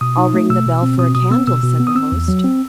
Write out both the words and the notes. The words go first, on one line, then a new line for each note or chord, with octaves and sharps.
"I'll ring the bell for a candle," said the host.
B2 D#6
D#4
A3
B2 E6
B2
C4
B2 D#6
B2 D#6
B3 E6
B2 E6
B2
B3
D#6
C4 E6
E2
F#3
C4